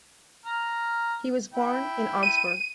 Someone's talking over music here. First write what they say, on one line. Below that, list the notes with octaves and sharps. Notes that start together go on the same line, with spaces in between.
He was born in Augsburg.
A#5 F6
E4 G5
D#7